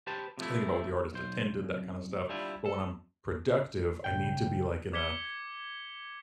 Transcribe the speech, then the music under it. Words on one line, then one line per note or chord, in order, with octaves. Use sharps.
I think about what the artist intended, that kinda stuff, but when I'm productive, I need to be, like, in a
G4 B4 C5 A5
C3 F3 A3 E4
B1 C5
C2 F#2
G3 D4 E4 F4
A4
A#1 A2 C#3 G5
D6 G#6 B6 C#7 G7